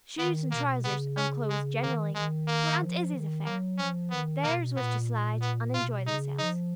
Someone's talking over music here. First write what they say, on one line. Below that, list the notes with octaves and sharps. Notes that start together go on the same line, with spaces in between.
Shoes and trousers, and clothes generally, were Aunt Izzie's affair; theirs was to slide and enjoy themselves.
D#3 B3
B2 A#3
C#3 B3
C#4
G#3
D#3 A#3
D#3 G#3
A#3
F3
D#3
F#3 A#3
F3 C#4
D#3 B3
B2 A#3
A#2 B3
B3
B2 F4
C#3 D#4
F3 D#4